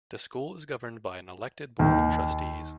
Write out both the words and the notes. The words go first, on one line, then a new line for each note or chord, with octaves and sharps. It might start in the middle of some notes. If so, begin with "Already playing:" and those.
The school is governed by an elected Board of Trustees.
D#2